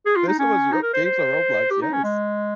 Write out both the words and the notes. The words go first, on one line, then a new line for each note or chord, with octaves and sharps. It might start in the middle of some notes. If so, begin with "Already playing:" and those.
There's so much Ro games on Roblox, yes.
G#4
F4
D#4
C#4
D#4
A#4
C5
C5
G4
D#4
C#4
G#3